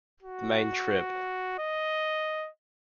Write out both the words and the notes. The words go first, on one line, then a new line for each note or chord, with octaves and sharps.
The main Trib.
F#4
D#5